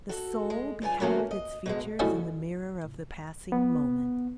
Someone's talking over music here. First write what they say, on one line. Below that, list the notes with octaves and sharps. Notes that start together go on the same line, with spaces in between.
The soul beheld its features in the mirror of the passing moment.
F#4 A4
G#3
G2 C#3 F4 G#5
E3 A3 A#3 C#4 F#4
D#5
B2 D3 G#3
G3 A3 C#4 D#4 E4 F#4
B3